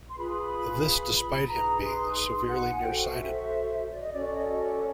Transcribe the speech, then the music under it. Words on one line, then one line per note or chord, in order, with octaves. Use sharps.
This despite him being severely near-sighted.
C6
F4 G#4 B4 B5
C6
B5
B5
D#4 G#4 B4 A#5
C6
F#5
G#5
F#4 A4 C5 G5
F#5
F5
E5
D5
D#5
C#4 F#4 A4 C#5 D5
D5
D#5
D#5
D5